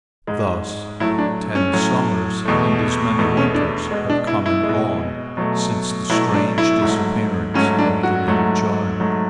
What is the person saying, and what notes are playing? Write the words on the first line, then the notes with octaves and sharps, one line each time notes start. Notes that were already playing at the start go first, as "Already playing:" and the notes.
Thus ten summers and as many winters have come and gone since the strange disappearance of the little child.
G#2 G#3
A2 F#3 A3 E4
D4
C#4
A2 F#3 A3
E2 B2 A3
E2 B2 A3
C#4
D4
B2 G#3
D4
E4
E4
G#3
B2
B2 F#3 A3
B2 F#3 A3 E4
D4
E4
G#2 F#3 A3
G#2 F#3 A3 C#4
D4
F#4
G#2 F#3 A3
G#2 F#3 A3